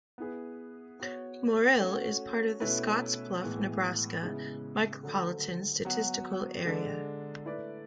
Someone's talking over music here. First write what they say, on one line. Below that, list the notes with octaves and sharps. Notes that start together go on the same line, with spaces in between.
Morrill is part of the Scottsbluff, Nebraska Micropolitan Statistical Area.
B3 E4 G#4 B4
B3 F#4 C#5
A3 C#4 F#4 C#5
B2 A3 C#4 E4 B4
A2 E3 G#3 B3
C#3 G#3 B3 E4
D3 F#3 A3
F#3 B3 F#4
D3 G#3 D4 A4
A3 E4 B4 D5